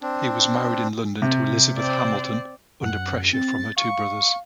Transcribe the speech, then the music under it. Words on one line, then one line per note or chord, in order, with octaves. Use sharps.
He was married in London to Elizabeth Hamilton, under pressure from her two brothers.
C4 D4
C3
C4 D5
F#2 F#5
C4 A6
F5 C#6